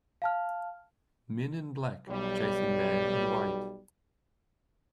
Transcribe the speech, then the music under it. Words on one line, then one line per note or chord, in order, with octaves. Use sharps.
Men in black chasing man in white.
F5 A5 F6
B1 G3